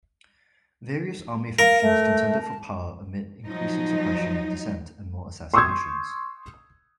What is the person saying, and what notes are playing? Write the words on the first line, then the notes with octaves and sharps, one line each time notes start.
Various army factions contended for power amid increasing suppression of dissent and more assassinations.
A#4 F5
A3
A5
F3 F#3 D#4
C6 C#6 D#6 E6 G6 G#6